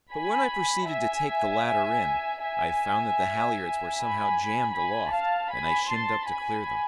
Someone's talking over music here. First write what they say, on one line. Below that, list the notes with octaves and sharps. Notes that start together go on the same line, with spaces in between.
But when I proceeded to take the latter in, I found that the halliards were somehow jammed aloft, and I shinned up to clear them.
G#5 B5
E5 G#5
E5 G#5
G#5 B5
G#5 B5
F5 A5
G#5 B5
A5 C6
G#5 B5